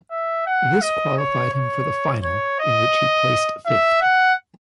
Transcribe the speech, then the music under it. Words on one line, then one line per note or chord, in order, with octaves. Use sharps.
This qualified him for the final, in which he placed fifth.
E5
F#5
D#5
C#5
C#5
C#5
D#5
E5
F#5